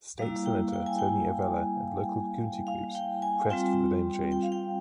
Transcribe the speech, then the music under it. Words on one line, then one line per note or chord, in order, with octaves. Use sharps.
State Senator Tony Avella and local community groups pressed for the name change.
G3 A#3 E4 F5
G5
G5
G#5
G5
F5
G5
G#5
G3 C4 F4 G5
G5
F5
G5